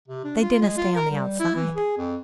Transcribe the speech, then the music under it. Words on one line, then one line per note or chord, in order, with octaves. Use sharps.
They dinna stay on the outside.
C3
D4
F4
G#3
F4
A#4
G3
E4
E3
G#4
F2